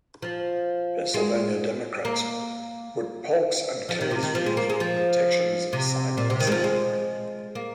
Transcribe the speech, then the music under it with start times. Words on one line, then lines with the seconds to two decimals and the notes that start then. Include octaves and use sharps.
Pennsylvania Democrats put Polk's and Clay's views on protectionism side by side.
0.22 F3
1.14 G#3
2.05 A#3
3.89 F3
4.01 D#3
4.11 C3
4.23 D#3
4.35 F3
4.46 G#3
4.57 A#3
4.70 G#3
4.80 F3
5.73 C3
6.17 A#2
6.30 C3
6.40 D#3
6.47 G#3
6.52 F3
6.64 G#3
7.55 A#3